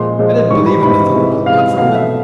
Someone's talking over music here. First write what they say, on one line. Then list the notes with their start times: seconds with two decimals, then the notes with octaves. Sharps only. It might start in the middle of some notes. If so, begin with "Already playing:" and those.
I didn't believe in the thunderbolt, not for a minute.
Already playing: A#2 F3 G#3 C6
0.19 A#2 F3 G#3
0.50 G#2 E3 G3 C#6
0.66 B5
0.82 G#2 E3 G3 B5
1.14 C3 E3 G#3
1.46 C3 E3 G#3 F5
1.78 B2 F#3 A3 F5
1.95 E5